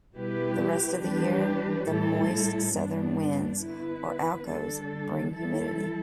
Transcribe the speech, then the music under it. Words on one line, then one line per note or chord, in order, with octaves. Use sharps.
The rest of the year, the moist southern winds, or alcos, bring humidity.
B2 G3 E4 G4 B4
E3 G3 D4 G4 B4
A2 G3 E4 A4
G2 G3 B3 D4
D3 B3 E4 B4
D3 G3 D4 A4
E3 G3 E4 A4